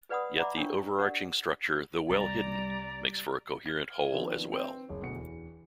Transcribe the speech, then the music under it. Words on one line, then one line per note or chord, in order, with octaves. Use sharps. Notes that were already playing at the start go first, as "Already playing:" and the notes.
Yet the overarching structure, though well hidden, makes for a coherent whole as well.
G#4 B4 D5 F#5 B5 D#6
D5 E5 F#5 A#5 B5 D6
D4 A#4 C#5 G5 C#6
G4 A#4 D5 F#5
C2 G3 D5 A#5
F6 G#6
D#3 F3 B3 C4 D4
C4 B4
F#1 C#5
D2 B2 F#4 C#7
E2